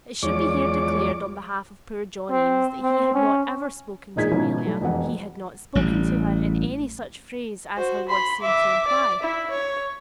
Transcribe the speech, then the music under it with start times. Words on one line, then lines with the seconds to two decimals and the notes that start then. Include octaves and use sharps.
It should be here declared on behalf of poor John Eames that he had not ever spoken to Amelia--he had not spoken to her in any such phrase as her words seemed to imply.
0.23 E2 F3 G#3 C#5 D5 D6
2.31 C4
2.83 C4
3.15 C#4
4.16 E1 A#2 D#4 G#4 G#6 B6
4.31 G#2 B2 D#3 F3 C#4 E4
4.65 F#3 G3 A3
4.81 E1 F2 F#5
5.75 A1 G3
7.77 F#4 C5
8.09 B5 C6
8.41 E5 D6
8.87 D5
9.20 E4 E5
9.51 C#5